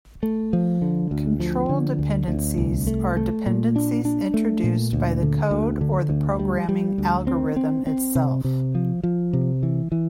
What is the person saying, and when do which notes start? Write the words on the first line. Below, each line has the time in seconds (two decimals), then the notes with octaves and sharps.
Control dependencies are dependencies introduced by the code or the programming algorithm itself.
0.23 A3
0.53 F3
0.82 D3
1.11 D2
1.40 F3
1.69 D3
1.99 D2
2.28 D2
2.58 C2
2.87 A3
3.17 A3
3.46 A#2
3.76 D4
4.05 D4
4.34 A3
4.64 A#2
4.93 D2
5.23 D3
5.51 D2
5.81 D3
6.10 D2
6.39 G3
6.69 G3
6.98 D2
7.27 C4
7.56 C4
7.87 C4
8.15 C3
8.44 C3
8.75 F3
9.03 F3
9.33 C3
9.63 E3
9.92 E3